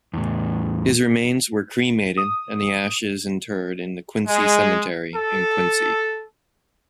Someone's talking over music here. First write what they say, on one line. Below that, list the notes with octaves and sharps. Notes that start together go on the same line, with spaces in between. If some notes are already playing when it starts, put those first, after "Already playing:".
His remains were cremated and the ashes interred in Quincy Cemetery in Quincy.
E2 A2
D#6
G#3
A4